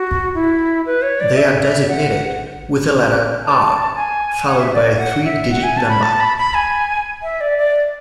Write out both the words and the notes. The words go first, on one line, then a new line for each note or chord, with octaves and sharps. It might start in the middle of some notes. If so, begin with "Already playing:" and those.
They are designated with the letter "R" followed by a three-digit number.
Already playing: F#4
E4
B4
C#5
D5
E5
F#5
A5
G#5
F#5
E5
D5
C#5
F#5
E5
F#5
G#5
A5
B5
A5
B5
B5
G#5
E5
D5
D5